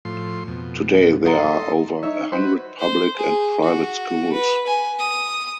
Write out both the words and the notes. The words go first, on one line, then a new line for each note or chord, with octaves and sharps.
Today there are over a hundred public and private schools.
A2 F3 C6
F2 B2
A4 D#5 F#5 A#5 C6
D#4 C#5 E5
F#4 B4 C5
C5
G#4
F#4
B4
G#5
D#6